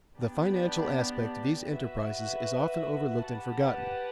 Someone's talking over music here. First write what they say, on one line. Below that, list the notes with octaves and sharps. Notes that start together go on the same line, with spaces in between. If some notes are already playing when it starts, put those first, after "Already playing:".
The financial aspect of these enterprises is often overlooked and forgotten.
B3 D4 G4 D5
F#4 B4 E5
G4 B4 F#5 A5